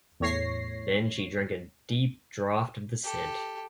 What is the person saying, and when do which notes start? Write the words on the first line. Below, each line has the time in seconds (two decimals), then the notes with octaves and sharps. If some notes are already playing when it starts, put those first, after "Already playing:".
Then she drank a deep draught of the scent.
0.20 E2 A2 C#5 A#6 C7
3.04 G4 A4